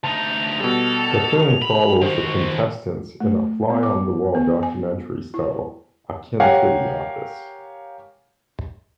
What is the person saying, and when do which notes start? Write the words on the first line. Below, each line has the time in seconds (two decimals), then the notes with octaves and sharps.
The film follows the contestants in a fly-on-the-wall documentary style, akin to "The Office".
0.04 D2 D#4 A5 F7
0.60 B2 G3 A4
1.62 B5
2.02 D#3 F#4 C5
3.20 A3
3.70 B3
3.83 D6
4.35 B3
4.63 G#5
5.34 E4
6.40 G4 A#4 C#5 F5 F#5 G#5